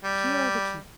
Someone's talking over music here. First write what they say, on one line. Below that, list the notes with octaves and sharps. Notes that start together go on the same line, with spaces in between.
Here are the keys.
G3